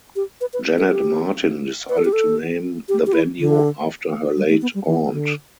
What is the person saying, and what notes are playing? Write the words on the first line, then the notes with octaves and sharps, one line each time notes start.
Janet Martin decided to name the venue after her late aunt.
G4
B4
B4
A4
G4
B4
A4
G4
A4
G4
G4
E4
D3
G3
A3
B3
G3
E3
D3